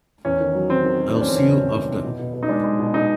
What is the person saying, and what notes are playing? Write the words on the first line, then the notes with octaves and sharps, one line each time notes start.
I'll see you after.
E2 C#4
D#3
F#3
D#3 C4
D#3
F#3
E2 D4
C#4
E2 C4
C#4
C3
E2 C#4
D#3
C3
B2
B2
B2
D#4
G#3 D4
G#3
B2
G#3 D#4